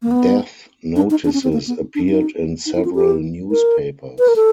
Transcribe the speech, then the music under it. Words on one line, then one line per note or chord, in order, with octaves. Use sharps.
Death notices appeared in several newspapers.
A#3
B3
D4
D#4
D4
C#4
C4
A#3
B3
D4
D#4
D#4
E4
F4
G4
A#4
B4
A#4
A4